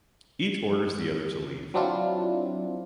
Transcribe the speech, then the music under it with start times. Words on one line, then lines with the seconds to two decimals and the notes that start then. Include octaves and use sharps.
Each orders the other to leave.
1.74 F#3 C4 D4 E4 F4